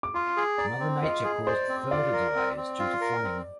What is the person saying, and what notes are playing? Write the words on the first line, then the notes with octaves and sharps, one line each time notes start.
Mother Nature caused further delays due to flooding.
D6
F4 C6
G#4
D5 A#5
C4
F4 D#5
G#4
C5 D5
C4
F4 D5
A#4
C4
C4
F4
A#4
C4